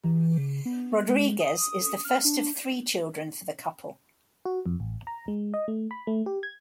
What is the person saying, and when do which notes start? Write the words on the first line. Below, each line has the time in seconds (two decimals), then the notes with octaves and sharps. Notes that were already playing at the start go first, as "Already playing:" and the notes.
Rodriguez is the first of three children for the couple.
0.04 E3
0.38 C#3
0.66 B3
1.08 G#3
1.40 D#6
2.05 F6
2.25 D4
4.45 F#4
4.66 F2
4.80 A1
5.07 A#5
5.28 G#3
5.54 D#5
5.68 A3
5.91 B5
6.07 A3
6.26 G4
6.43 G#6